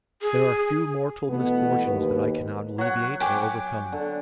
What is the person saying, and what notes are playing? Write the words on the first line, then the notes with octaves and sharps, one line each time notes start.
There are few mortal misfortunes that I cannot alleviate or overcome.
G#4
B2 E3 A3 B3
D#2 B4
F#3 F#5
G5 G#5 D6
D3